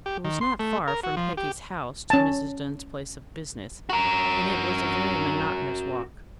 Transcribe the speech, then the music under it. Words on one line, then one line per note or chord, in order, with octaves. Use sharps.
It was not far from Peggy's house to Mrs. Dunn's place of business, and it was a very monotonous walk.
G4
D#3
C6
A3
A#4
F#4
F3
G4
C#4 A5
F#4 A#4